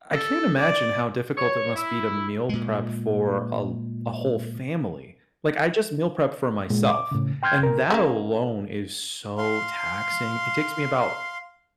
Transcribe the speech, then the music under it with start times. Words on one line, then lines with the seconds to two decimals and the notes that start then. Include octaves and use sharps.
I can't imagine how difficult it must be to meal prep for a l a whole family, like, I just meal prep for myself, and that alone is so taxing. It takes me about
0.14 A4
0.59 D5
1.37 C#5
1.75 E4
2.49 A#2 G#3
6.70 A#2 G#3
6.90 D6
7.11 A2 C#3
7.43 G5 C6 F6 G6 G#6
7.63 C3 A#4
7.90 C#3 A3 A#3
9.38 F5 C6